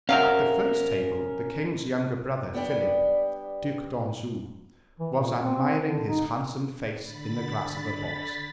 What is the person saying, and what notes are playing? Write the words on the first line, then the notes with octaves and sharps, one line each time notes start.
At the first table, the king's younger brother, Philip, Duc d'Anjou, was admiring his handsome face in the glass of a box.
C3 F#3 C#4 A#4 F5
G3 B3 D4 G4 D5
E3
A#2
C4
D3
D#4
D3 B5 A6 B6